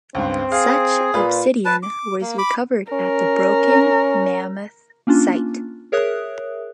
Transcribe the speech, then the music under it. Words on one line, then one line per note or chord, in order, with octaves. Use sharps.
Such obsidian was recovered at the Broken Mammoth site.
C#2 G2 C4
G#4 F5
A#2 F4 B4
B4 A5
D6
A#3
B5 D6
C#4 A#4
A#3 C#4 D4 F4
G#4 A#4 C#5 E5 D#6 F#6